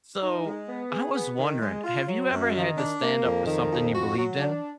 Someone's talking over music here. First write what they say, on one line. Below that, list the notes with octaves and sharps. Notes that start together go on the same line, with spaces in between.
So, I was wondering, have you ever had to stand up for something you believed in?
D#4
G#3
B3
G#4
B3
D#3
G#3
F4
F#3
F#2
D#3
D4
A#3
F2
D#3
F2
F#4
F#3
D4